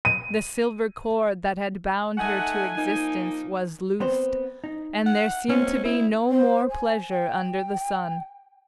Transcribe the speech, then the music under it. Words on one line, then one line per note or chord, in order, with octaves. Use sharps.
The silver cord that had bound her to existence was loosed, and there seemed to be no more pleasure under the sun.
D#7
A3 D#4 F#5 G#5
F3 A#3 D#4
B3 C4 C5
D#4
F#5
A#3 C4 C#4
E4
C5
G#5
G5